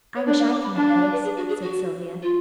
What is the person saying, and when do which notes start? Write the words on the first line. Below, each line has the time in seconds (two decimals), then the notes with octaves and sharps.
"I wish I could make lace," said Sylvia.
0.16 C#5
0.27 D4 D5
0.39 F5
0.51 D6
0.63 B5
0.76 D4 A5
0.89 F5
1.01 D5
1.12 B4
1.24 G#4
1.37 F#4
1.49 G#4
1.62 F#4
2.22 F4